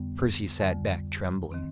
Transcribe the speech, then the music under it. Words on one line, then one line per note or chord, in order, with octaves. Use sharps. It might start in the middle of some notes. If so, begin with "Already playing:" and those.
Percy sat back, trembling.
Already playing: F2 D3 G3 B3
F2 D3 G3
D#3 C4